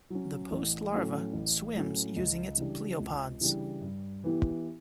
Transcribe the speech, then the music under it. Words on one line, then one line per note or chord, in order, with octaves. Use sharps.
The post-larva swims using its pleopods.
F#3 C#4
A1
A2 F#3 C#4
A1
A2 F#3 C#4
C#2
C#3 E3 G3 D4
C#2
C#3 E3 G3 D4
G2
E3 B3 E4 G4